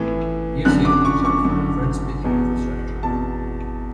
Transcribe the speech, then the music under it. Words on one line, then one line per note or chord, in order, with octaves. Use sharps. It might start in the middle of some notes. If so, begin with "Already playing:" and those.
New city reserved for the French speaking infrastructure.
Already playing: A2 E3
F#2 D3 F#6
D6
C#6
C#6
F#2 D3
E2 B2
E2 B2 A5